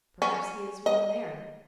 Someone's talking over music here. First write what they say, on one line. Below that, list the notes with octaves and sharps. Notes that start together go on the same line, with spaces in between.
Perhaps he has won there.
C#4
D#5